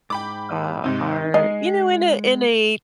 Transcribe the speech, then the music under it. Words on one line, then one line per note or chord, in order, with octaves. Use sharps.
uh, are, you know, in a, in a
G#2 G5 B5 D6
G#2 C3 C4 D#4
G#3 D#4 C7